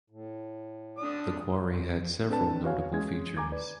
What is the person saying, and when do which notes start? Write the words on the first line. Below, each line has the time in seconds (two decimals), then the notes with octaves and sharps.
The quarry had several notable features.
0.10 A2
0.98 D3 D4 D#6
2.30 C4 D4 A4 B4 A5
2.64 F#4 B4 C#5 F5 G#5
2.93 G#3 C#4 G#6
3.37 G#5 A#5 D6 G#6
3.52 B4 D5